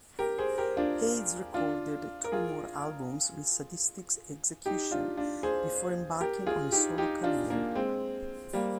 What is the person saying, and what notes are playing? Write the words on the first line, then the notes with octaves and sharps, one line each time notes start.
Hades recorded two more albums with Sadistik Exekution before embarking on a solo career.
G4 A#4
G#4 C5
G4 A#4
D4 F4
D4 F4
A#4
F4 G#4
D#4 G4
D4 F4
D4 F4
G#4 C5
G4 A#4
F4 G#4
D#4 G4
D#4 G4
D4 F4
A#3 D4
G#3 C4
G3 A#3